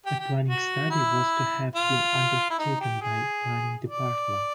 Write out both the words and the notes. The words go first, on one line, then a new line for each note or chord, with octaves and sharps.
A planning study was to have been undertaken by the Planning Department.
G4
G4
F#4
E4
F4
E4
D#4
G4
G#4
D5